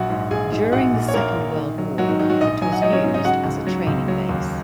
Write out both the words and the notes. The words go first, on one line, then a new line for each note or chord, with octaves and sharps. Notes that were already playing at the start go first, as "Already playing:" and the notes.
During the Second World War, it was used as a training base.
Already playing: A#1 F#3 F#4 F#5
G#2
A#1 G#4 G#5
G#2
A#1 F#4 F#5
A#2
C#5
A#1 A#3 A#4
A#1
D#3
F#3
G#2 F#3 F#4
D#3 D#4
G#2 D#3 D#4
F#3 F#4
A#1 D#4 D#5
F#3 G#5
F#5
F#3 D#4 D#5
C#4 C#5
G#2
D#4 D#5
C#3 F#4 F#5
C#2
F#3
C#2
F#3
D#2